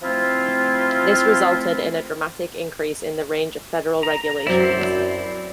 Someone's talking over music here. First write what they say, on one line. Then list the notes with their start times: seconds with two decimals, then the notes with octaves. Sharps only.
This resulted in a dramatic increase in the range of federal regulations.
0.02 F3 A3 C4 E4 F4
4.03 A#5
4.47 F#2 F#3 C4 E4 C5 D5